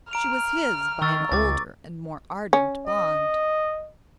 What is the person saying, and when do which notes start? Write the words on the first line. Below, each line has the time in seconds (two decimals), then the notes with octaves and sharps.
She was his by an older and more ardent bond.
0.11 A#5 F6 D7 F7
1.02 D#3 C#6 E6 A6
1.32 C#2 D6 A6
2.53 C#4
2.87 D#5